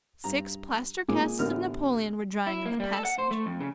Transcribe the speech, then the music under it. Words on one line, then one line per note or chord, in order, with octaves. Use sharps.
Six plaster casts of Napoleon were drying in the passage.
G2 A#5
A#2 G#3 G#4 G#5 D6
A1 D3 B3 A#4 F6
E4
A#3
G3
A4
F#5
C5
A3
F2
C#3